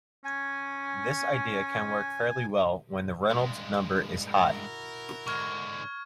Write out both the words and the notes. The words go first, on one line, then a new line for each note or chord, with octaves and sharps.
This idea can work fairly well when the Reynolds number is high.
C#4 G#5
G2 G#3
E4 F#4 A#4
G#2 D3 C#6 F6 G#6